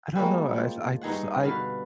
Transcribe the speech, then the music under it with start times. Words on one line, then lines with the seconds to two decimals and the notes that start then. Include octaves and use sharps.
I don't know, I I s I
0.15 G3 G#3 A#3 F#4
0.54 F3
1.01 G2 D#4 G#4 F#5
1.43 B2 D3 B4 F5